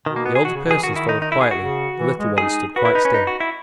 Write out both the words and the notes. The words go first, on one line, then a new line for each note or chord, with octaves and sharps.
The older persons followed quietly; the little ones stood quite still.
B2 D#3
A#3
B3
G#4
B2 F#4
C#3
B2
E3 G#4
D#3 F#4
E4
D#4
D#4
E4
G#4
F#4
C#3
E3
G#3
D#4 G#4
F#4 B4
E4
D#4
C#4
D#4
F#4
E4